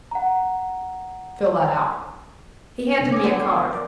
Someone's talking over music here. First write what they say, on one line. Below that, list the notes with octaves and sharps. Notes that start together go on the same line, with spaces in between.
"Fill that out." He handed me a card.
F#5 A#5
C2 D3
C#4 G#4 A4 C#5 D6
D3 F#3 B3 C4 C5
C6 C#6 G#6
A#4 D5